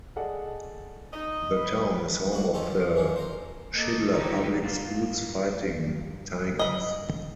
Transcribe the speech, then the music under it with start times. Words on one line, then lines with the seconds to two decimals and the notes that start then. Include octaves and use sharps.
The town is home of the Shidler Public Schools Fighting Tigers.
0.16 G#4 A4 D5 D#5 F#5
1.13 D#4 D#5
1.57 B4
2.32 A#3 F#4
2.54 C#4 D#4 F4 G4 A4
2.95 A#3 C#4 D4
3.16 C5 A#5 C6
3.72 A#3 A4 D#5
4.10 D3 D#4 E4 F#4 G4
4.62 G2 A#3 F4
6.59 D#5 B5